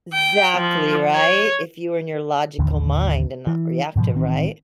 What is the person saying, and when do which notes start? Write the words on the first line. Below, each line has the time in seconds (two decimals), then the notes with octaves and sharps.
'Xactly, right? If you were in your logical mind and not reactive, right?
0.13 G5
0.56 F3
1.14 C#5
2.59 A1 D#2 D3
3.47 E3
3.96 G#2 B2 E3 F3
4.13 A1 D#3 C4